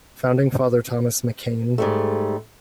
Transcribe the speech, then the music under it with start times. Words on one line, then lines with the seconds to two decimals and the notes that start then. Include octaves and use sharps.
Founding Father Thomas McKean.
1.78 G#2 G3 A3